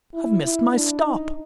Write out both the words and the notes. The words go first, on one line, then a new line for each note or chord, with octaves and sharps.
I've missed my stop.
E4
E4
D4
D#4